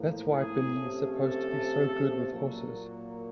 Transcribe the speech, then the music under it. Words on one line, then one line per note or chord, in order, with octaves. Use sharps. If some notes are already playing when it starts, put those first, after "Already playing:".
That's why Billy is supposed to be so good with horses.
Already playing: A2 F3 A#3
G#4
C3 F3 A3 C#4
A4
A#2 F#3 A#3